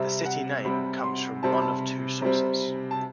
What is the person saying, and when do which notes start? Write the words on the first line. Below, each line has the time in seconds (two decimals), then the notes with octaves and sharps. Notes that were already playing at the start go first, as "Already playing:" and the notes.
The city name comes from one of two sources.
Already playing: C3 G3 C4 E5
0.25 F#5
0.65 C3 G3 C4 B5
1.04 C6
1.43 C3 G3 C4 A5
1.52 B5
1.62 A5
2.22 C3 G3 C4
2.91 A5